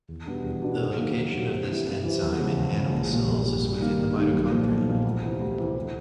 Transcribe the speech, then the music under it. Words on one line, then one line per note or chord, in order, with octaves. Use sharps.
The location of this enzyme in animal cells is within the mitochondria.
E2
B2 G3 B3 D4
E2
B2 G3 B3 D4
C3
D#3 F#3 A#3
C3
D#3 F#3 A#3
C3
E3 G3 C4 E4
C3
E3 G3 C4 E4
E2
C#3 F3 G#3
E2
C#3 F3 G#3
A#1
A#2 G3
A#1
A#2 G3
G2
D#3 G3 A#3 D#4
G2
D#3 G3 A#3 D#4
B1
A#2 F3 A#3
B1
A#2 F3 A#3
D2
C3 E3
D2
C3 E3
D2